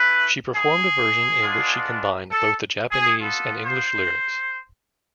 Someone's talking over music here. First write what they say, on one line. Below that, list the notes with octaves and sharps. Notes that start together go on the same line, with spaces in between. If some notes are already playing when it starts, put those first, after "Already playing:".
She performed a version in which she combined both the Japanese and English lyrics.
Already playing: A3 E4 B4
G#4
G#3 B3 D4 F4
A4
G#4
B3 F4 A4
C5